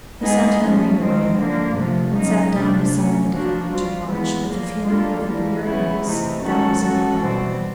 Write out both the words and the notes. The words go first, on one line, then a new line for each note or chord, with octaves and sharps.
He sent Henri away and sat down beside the divan to watch with a feeling of weariness that was not bodily.
G#3 B3 D#4 G#4
F3 A3 C#4
D#3 G#3 C4
D3 F3 A#3
C3 F3 A3
C#3 F#3 A#3 D#4
C3 F3 A3 D4
F#3 A3 C#4
F3 A#3 D4 F#4
G3 C4 F4
E3 G#3 B3
A#2 F3 A#3
G3 A#3 D4 F4 A4
E3 G3 A#3
C#3 E3 G#3 B3 E4
C3 E3 A3 C4 D#4
D#3 G#3 C#4 F#4 A4
G#3 C#4 F#4 A4
B2 G3 C4